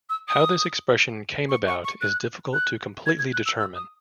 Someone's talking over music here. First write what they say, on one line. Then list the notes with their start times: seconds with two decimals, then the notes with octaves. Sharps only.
How this expression came about is difficult to completely determine.
0.09 E6
0.28 D#6
1.49 C#6
1.67 C#6
1.85 C#6
2.01 F#6
2.53 F#6
3.06 G#6
3.19 G#6
3.33 F#6
3.45 E6
3.58 E6
3.75 D#6